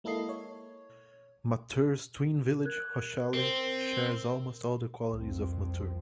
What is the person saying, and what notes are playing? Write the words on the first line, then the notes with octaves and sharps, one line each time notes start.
Mattur's twin village, Hosahalli, shares almost all the qualities of Mattur.
G#3 A#3 E4 A4 D#5 C7
C#5
A#4 F#6 G#6
C4 A#4 C5
C2 F2 F3 C4